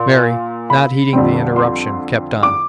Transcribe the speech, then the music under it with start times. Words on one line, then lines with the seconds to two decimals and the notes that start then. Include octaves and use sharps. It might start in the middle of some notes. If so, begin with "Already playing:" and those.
Mary, not heeding the interruption, kept on.
Already playing: A#2 C6
0.70 B5
1.13 F2 D3 G3 C4
1.56 C6
2.43 D6